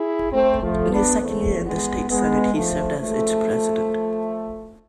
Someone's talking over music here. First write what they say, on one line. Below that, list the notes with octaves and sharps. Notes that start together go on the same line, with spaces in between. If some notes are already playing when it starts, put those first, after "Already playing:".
In his second year in the state senate, he served as its president.
Already playing: E4 G#4
A3 C4
F3 A3
B3 D4
E2 D3 A3 C4
G#3 B3
G#3 B3
F3 A3
A1 G#2 E3 F3 A3